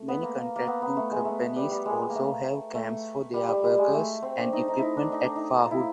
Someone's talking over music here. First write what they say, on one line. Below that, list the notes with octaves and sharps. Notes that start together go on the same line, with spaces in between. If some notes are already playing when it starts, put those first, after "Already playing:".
Many contracting companies also have camps for their workers and equipment at Fahud.
Already playing: A3
B3
A#3
A#3
B3
B3
A3
G#3
A3
G3
G3
G#3
A#3
A3
A3
G3
G3
G3
G#3
A3
C4
D4
D#4
D#4
D#4 E4
D4
D#4
D4
D#4
F4
E4